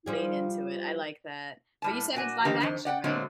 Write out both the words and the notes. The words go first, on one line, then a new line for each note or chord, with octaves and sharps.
Lean into it. I like that. But you said it's live action, right?
F3 G3 G#4
A2 G3 A5
A#2 F#4 G#5
D#3 F3 A3 D4 G4 A#4
F2 D#3 C5
D5 F#5 G5
A#2 D3 F#3 G#3 A3 C4